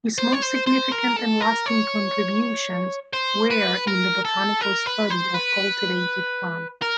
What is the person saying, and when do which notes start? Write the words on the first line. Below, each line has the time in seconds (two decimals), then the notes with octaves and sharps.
His most significant and lasting contributions were in the botanical study of cultivated plants.
0.18 C5
0.33 C#5
0.43 C5
0.67 C5
0.92 A#4
1.17 A4
1.41 A#4
1.66 C#5
3.13 C5
3.51 B4
3.87 A#4
4.25 A4
4.61 A#4
4.86 B4
5.10 C5
5.34 B4
6.82 A#4